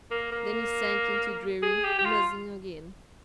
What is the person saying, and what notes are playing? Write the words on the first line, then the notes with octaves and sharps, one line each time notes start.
Then he sank into dreary musing again.
A#3
A#3
G#4
G4
G4
F4